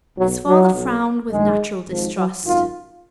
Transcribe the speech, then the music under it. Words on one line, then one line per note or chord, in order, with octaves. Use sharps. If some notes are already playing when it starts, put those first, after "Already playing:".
His father frowned with natural distrust.
B1 B2 F#3
F#3
B1 B2
A#1 G#2 D#3 G#3
G#1 G#2 F3
F#3
G#1 F#2 D#3 F4